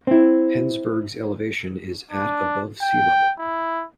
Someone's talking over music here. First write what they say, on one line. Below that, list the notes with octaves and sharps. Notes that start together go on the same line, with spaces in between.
Pennsburg's elevation is at above sea level.
C4 E4
D4
G5
E4